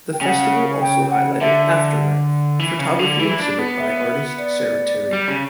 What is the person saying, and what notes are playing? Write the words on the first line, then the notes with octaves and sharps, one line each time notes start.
The festival also highlighted "Aftermath," a photography exhibit by artist Sara Terry.
G5
C#3 F#5 G#5
G5
F#5
D3 E5
E3
C#3
D3
E3
E4
D4
B3
E5
D5
G3
C#3